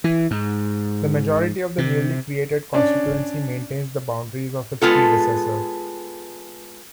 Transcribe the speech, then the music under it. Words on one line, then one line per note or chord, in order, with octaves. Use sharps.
The majority of the newly created constituency maintains the boundaries of its predecessor.
E3
G#2
C3
C#4 D4 D5
G#3 B3 F4 A4